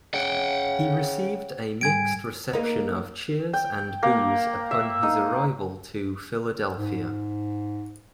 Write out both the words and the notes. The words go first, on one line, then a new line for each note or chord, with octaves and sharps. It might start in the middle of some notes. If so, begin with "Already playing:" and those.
He received a mixed reception of cheers and boos upon his return to Philadelphia.
C#3 F#5 G5
G#2 G3 G#5 G#6 D7
A#3 D#4
G5
A#3
E5
D#4
G#2